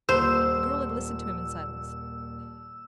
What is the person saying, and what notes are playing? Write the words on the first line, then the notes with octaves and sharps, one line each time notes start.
The girl had listened to him in silence.
D#1 A#2 C5 E6